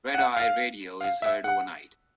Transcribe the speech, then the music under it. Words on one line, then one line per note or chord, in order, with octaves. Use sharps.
Red Eye Radio is heard overnight.
F#5
F5
F5
E5
F#5